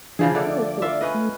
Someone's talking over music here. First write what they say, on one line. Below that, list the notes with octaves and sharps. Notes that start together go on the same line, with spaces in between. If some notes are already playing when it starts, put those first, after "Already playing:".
Oh, cool.
C#3 E3 F3 D4 G#4
D3 A3 D5
F4 E5
C#4 B4 D#5
A3